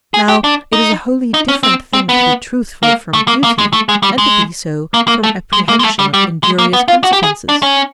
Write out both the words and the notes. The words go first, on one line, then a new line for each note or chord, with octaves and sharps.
Now it is a wholly different thing to be truthful from duty and to be so from apprehension of injurious consequences.
G#4
G4
D4
D#4
D#4
C#4
C4
C4
B3
A#3
A3
A#3
A#3
G#3
A3
G#3
G3
G#3
A#3
A#3
A3
G#3
A#3
G#3
A3
G3
G3
G#3
A#3
B3
F4
F#4
G4
G#4
D4
C#4